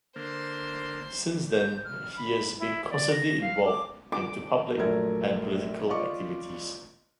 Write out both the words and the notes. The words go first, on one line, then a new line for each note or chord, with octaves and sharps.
Since then, he has been constantly involved into public and political activities.
D3 A#3 C5 C6
G6
F6
B5
E4
D5
A#6
F5
D6
D6
A#1 F#2 A3 A#4 G#6
F4 D5 D#5 C#6 D6